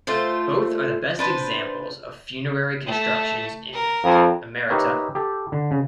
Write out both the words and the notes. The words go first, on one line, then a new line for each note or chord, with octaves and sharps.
Both are the best examples of funerary constructions in Emerita.
A3 F4 C5
D4 B4 C5
A3
A#4
F2
D#4 G4 A#4 B4 C#5 E5
G4 A4
D3
C#3